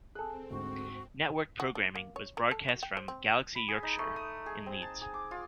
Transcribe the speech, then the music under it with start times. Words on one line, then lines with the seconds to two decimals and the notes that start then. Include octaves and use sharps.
Networked programming was broadcast from Galaxy Yorkshire in Leeds.
0.15 C4 G#4 A4 F#6
0.50 D2 G#2 F#4
1.60 F#4
1.75 D4
1.96 A#3
2.16 C#5
2.37 A#4
2.51 A4
2.69 F#4
2.83 G5
2.97 C5
3.08 C4
3.55 B5
3.68 G#4
3.83 D#4
3.99 A3
4.16 D#6
4.46 G#4
4.66 C4
4.82 A5
5.01 G#4
5.14 D6
5.31 F4